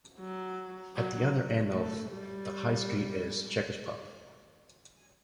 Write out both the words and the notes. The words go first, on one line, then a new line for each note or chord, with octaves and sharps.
At the other end of the High Street is the Chequers pub.
F#3
F#3
A3
G3